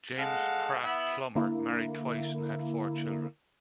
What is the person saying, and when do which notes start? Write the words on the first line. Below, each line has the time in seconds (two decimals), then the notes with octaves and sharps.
James Pratt Plummer married twice and had four children.
0.18 G#3 A4 F5 F#5
0.84 B3 E4 E5
1.35 D3 A#3 E4